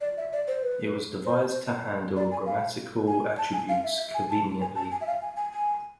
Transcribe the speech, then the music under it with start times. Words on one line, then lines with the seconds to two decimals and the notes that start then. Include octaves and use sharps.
It was devised to handle grammatical attributes conveniently.
0.01 D5
0.17 E5
0.33 D5
0.48 C5
0.62 B4
1.25 C5
2.16 D5
2.31 G#5
2.46 F5
3.07 G#5
3.38 A5
3.53 G#5
3.69 F5
3.84 E5
4.00 E5
4.14 G#5
4.30 A5
4.61 G#5
4.75 A5
4.91 G#5
5.01 E5
5.07 F5
5.22 G#5
5.37 G#5
5.53 G#5